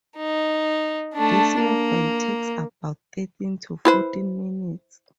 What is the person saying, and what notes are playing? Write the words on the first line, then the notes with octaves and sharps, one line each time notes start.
This movement takes about thirteen to fourteen minutes.
D#4
A3 D4
A#3
E4 B4 C5